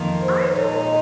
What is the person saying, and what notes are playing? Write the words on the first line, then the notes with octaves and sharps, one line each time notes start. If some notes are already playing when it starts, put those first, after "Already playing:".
I don't
Already playing: F2 D#3 A#3 F4 A#4
C5
A#2 G#3 D#4 C#5
D#5